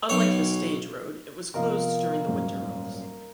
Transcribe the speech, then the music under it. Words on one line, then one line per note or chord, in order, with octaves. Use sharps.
Unlike the stage road, it was closed during the winter months.
B1 C#5
C3 F3 B3 A#4 D#5 F5
D#1 G#1 F#2